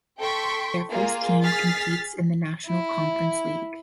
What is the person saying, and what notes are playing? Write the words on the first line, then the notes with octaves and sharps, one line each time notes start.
Their first team competes in the National Conference League.
A4 G5 C6 C#6 B6 D7
A#3 F4 G#4 F5
G#4 F6 A6 B6 C7
E4